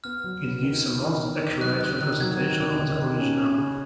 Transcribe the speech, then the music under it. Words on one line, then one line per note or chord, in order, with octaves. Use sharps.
It gives a most accurate representation of the original.
B3 F6
F#3
B3
D#3
B3
D#3
B3
D#3
F#3 F#6
D#3 F#6
D#3 F#6
F#6
F#3 G#6
D#3
D#3
D#3
D#3
C#4
C#4
C#3